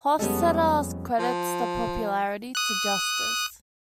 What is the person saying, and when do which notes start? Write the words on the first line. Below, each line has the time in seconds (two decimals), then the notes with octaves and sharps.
Hofstetter credits the popularity to justice.
0.19 F2 G3 G#3 B3 C#4 A4
1.19 F3
2.55 D#6 F#6